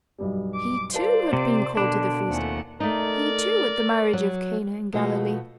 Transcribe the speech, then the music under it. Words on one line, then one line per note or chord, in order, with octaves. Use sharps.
He, too, had been called to the feast. He, too, at the marriage of Cana in Galilee....
B1 G2 G3
D6
F4 A#4 C5 D5 A5
C3
B2 D3 D4
D#2 A3 C4 F4 F#5 G#5
A3 D#4 A#4 D5
F#3
B2 F3 A3 F#4 D#5 F5